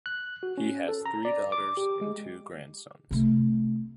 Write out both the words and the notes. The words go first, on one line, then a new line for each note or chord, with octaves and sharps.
He has three daughters and two grandsons.
F#6
F#4
C#4
A4
A#5
D5
D6
G4
G#3
C3 A3